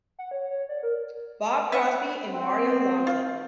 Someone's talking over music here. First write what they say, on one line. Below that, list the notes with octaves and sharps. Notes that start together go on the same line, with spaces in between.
Bob Crosby and Mario Lanza.
F#5
C#5
C#5
D5
A#4
B4 E5 F#5
C4
F4